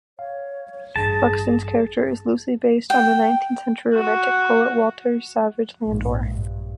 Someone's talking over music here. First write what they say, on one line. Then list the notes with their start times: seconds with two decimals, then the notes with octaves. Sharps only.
Buxton's character is loosely based on the nineteenth century Romantic poet Walter Savage Landor.
0.19 C#5 F5
0.96 A1 G2 G#4 A5 A#6
2.90 G5
3.94 F#4
5.84 A#1 G#2
6.26 G2